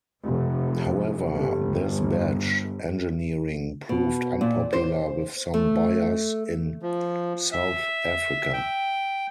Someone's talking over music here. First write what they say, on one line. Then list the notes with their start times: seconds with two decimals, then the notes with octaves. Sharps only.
However, this badge engineering proved unpopular with some buyers in South Africa.
0.23 F1
1.34 G1
3.89 B2
4.41 A#2
4.73 C5
5.54 A3
6.82 F3
7.52 E5
8.53 G5